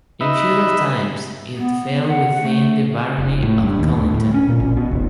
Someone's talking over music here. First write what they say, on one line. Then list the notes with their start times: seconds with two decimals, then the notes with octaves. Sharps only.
In feudal times, it fell within the barony of Colinton.
0.21 D#4 B4 E5
1.56 B3
2.07 F#5
2.41 A3
3.18 F1
3.43 A2
3.63 G2
3.79 D#2
3.95 D2
4.14 A2
4.34 C#4
4.48 A#2
4.60 A#1
4.77 B2
4.91 F1